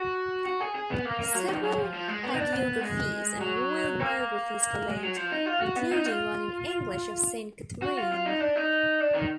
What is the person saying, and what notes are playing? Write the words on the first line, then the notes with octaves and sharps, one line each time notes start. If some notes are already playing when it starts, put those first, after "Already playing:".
Several hagiographies and royal biographies followed, including one in English of Saint Katharine.
Already playing: F#4
F#4
G#4
G#4
B3
A#3
A#3
F#3
D#3
F3
F#3
F3
F3
G#3
B3
D#4
D4
B3
G#3
F#3
A#3
G#3
F#3
F3
D#4
F4
F#4
B3
D#4
F4
F#4
F4
F4
D#4
D4
D#4
D4
D#3